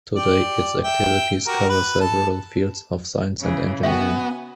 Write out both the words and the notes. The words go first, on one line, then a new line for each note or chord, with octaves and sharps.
Today, its activities cover several fields of science and engineering.
G4 D5
E5 G5
F#4 G4 A#4
B4
A4
C#3 E3 G#4
B3 F#4 E5 G5 G#5